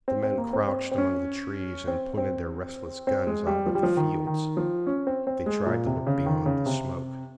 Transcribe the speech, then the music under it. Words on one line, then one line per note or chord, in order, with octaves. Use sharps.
The men crouched among the trees and pointed their restless guns out at the fields. They tried to look beyond the smoke.
C4
C4
A#3
C4
C4
C4
C#4
C4
C4
C4
G#3
G3
F3
G3
F3
D#3
D#3
F3
C#4
C4
C4
G#3
A#2
C3
C#3
D#3
C#3
C3